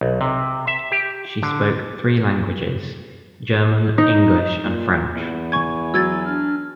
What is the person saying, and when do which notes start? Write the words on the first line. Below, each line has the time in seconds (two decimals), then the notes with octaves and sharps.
She spoke three languages: German, English, and French.
0.01 B1
0.21 C3
0.67 E5
0.92 G4
1.43 D3
3.98 D#4
4.65 A#2
5.15 E2
5.52 G#5 C#6 G#6
5.94 F#3 E6 G#6 A6
6.25 D4 F6